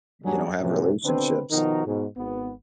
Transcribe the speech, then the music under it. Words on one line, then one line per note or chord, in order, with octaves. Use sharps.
you know, have relationships.
D#2 F#3 G3 D4 G#4
F#2 A2 C3 E3 F3
B2 D3 C4 D4 B4
B2 D#3 F3 D#4 F#4 A#4
G#2 B2
G#1 B3